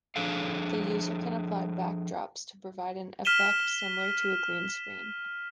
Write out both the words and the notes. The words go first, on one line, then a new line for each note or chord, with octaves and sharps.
The user can apply backdrops to provide an effect similar to a green screen.
F3 D4 G#4 A4 F5
F6 B6 D#7 E7 G7